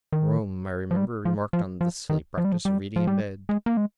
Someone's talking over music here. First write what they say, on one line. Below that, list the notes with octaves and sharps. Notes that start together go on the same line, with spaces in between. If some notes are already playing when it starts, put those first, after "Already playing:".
Rooum, I remember, remarked on the silly practice of reading in bed.
D#3
F3
G3
F3
F3
F3
D#3
F3
G3
F3
G3
F3
G3
G#3
A#3
G#3